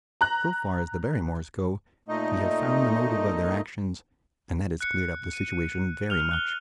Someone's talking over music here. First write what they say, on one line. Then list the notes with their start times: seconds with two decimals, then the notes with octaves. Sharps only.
So far as the Barrymores go we have found the motive of their actions, and that has cleared up the situation very much.
0.21 A#5 F#6
2.08 A#2 A3 D#4 D#5
4.81 F#6 C#7
5.33 D#7
6.10 F6 F7
6.31 F#6 G7